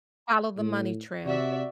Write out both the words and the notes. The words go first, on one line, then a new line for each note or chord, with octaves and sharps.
Follow the money trail.
A2
C3 F#4 D5 E5